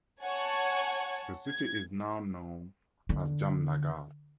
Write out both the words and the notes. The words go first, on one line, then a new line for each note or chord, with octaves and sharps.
The city is now known as Jamnagar.
C#5 F#5 G#5 A5 C#6 G#6
G#6
D3